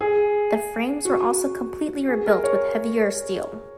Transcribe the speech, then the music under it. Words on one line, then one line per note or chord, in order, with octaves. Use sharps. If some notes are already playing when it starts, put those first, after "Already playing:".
The frames were also completely rebuilt with heavier steel.
G#4
F#4
G#4
A#4
C#5